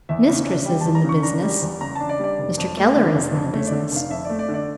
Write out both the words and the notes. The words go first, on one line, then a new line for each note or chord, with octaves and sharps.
Mistress is in the business; Mr. Keller is in the business.
E2 E5
C#3
D4
G3 G5
E2 A5
A#5
C#3 C#6
D4 A#5
G3
E2
C#3 A#5
D4 A5
D5
G3 D5
F1
F2
A3
D3
F1
F2
A3 C#5
D5
D3
F1 F5
F2 E5
A3 D5
D5
D3
D5